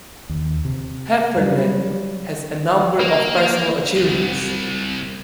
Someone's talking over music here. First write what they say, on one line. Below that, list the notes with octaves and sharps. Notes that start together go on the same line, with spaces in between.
Heffernan has a number of personal achievements.
D#2
C3
F#3 G3
A#3
C2